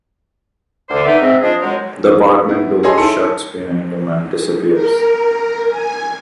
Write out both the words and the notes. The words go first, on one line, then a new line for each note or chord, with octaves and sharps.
The apartment door shuts behind him and disappears.
D2 D3 C5 D6
B3 D#4 D5 E5
G#2 C4 F#4 E5
F3 D4 G#4 D#5
F#3 G#3 A#4 C5 C#5
B3 E4
G#4 A4 C#5 D#5 G#5 C6
D#4 E4 A4 C6 C#7
A#4
G#5